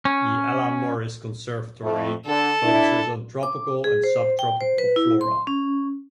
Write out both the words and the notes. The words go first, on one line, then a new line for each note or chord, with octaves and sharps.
The Ella Morris Conservatory focuses on tropical and subtropical flora.
C#4
F2 A3
D3 A4
D4 E4
D6
G#4
C5
G5
C5
B4
E4
C6
C#4